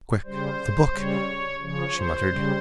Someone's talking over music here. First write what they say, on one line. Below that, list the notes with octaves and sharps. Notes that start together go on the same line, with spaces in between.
"Quick--the book," she muttered.
C#3 G3 C5
C#3 G3 C#5
C#3 F3 C#5
C5
C#3 G3